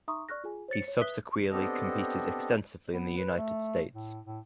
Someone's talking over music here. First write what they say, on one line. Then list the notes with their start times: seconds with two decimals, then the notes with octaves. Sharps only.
He subsequeerly competed extensively in the United States.
0.08 D#4 E5 A#5 C6 C#6 D#6
0.29 D5 C#6 F6 F#6 A#6
0.44 F4 G#4 G#5
0.68 C5 C#5 A6 C#7
0.88 C#5
1.01 B4 E5 D#6 F#6 B6 G7
1.51 B3 C4 D4 G4 A4 D#5
2.93 B3
3.17 B4
3.37 A3
3.94 A2
4.26 A2